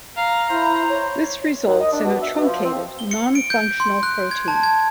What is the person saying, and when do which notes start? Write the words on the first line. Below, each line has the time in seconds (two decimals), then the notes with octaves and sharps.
This results in a truncated non-functional protein.
0.17 F5 A#5
0.50 E4 C5
0.88 C#5
1.67 D#2
1.80 D#5
1.92 D4
2.05 B2
2.21 E5
2.35 B2
2.47 F3
2.64 C4
2.99 G7
3.11 C#7
3.35 D7
3.50 G6
3.80 C6
4.03 F#6
4.31 G#6
4.48 A5
4.63 G#6